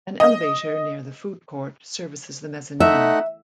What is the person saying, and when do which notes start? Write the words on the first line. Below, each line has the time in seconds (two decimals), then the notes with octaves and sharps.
An elevator near the food court services the mezzanine.
0.20 D#5
2.80 A3 D#4 E5 F#5